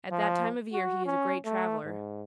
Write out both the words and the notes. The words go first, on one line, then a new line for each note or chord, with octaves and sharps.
At that time of year he is a great traveler.
F3
F#4
C#4
A3
G#2